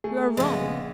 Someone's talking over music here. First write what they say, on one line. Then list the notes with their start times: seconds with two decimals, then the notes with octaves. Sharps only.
You are wrong!
0.04 A3 G#4
0.37 A#1 C#3 G#3 B3